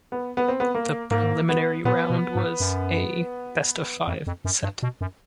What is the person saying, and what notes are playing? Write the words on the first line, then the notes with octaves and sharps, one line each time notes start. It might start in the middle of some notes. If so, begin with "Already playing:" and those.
The Preliminary Round was a best-of-five set.
B3
B3
C4
B3
A#3
G#2 A#3
B3
A#2 B3
B2
G#2
F#2
F2
F2
F#2
G2
B2
F#2